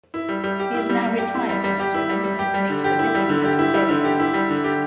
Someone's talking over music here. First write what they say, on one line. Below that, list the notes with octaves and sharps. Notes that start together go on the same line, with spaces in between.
He is now retired from swimming and makes a living as a salesman.
E4
G3
G3
G4
E4
G3
G3
G4
E4
G3
G3
G4
E4
G3
G3
G4
G3
D3
G4
E4
G3
D3
G4
E4
G3
D3
G4
E4
G3
D3
G4